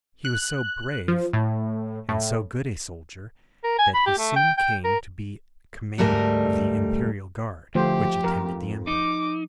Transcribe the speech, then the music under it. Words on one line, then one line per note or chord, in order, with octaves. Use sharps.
He was so brave and so good a soldier that he soon came to be commander of the imperial guard which attended the emperor.
F#6
F3
A2
A2
A#4
G#5
B5
G4
A3
G5
G5
A#4
D2 G#2 G3 A3 A#4 D#5
D2 F3 A3 F4 G4 C5
F2 A#4
D#4 D6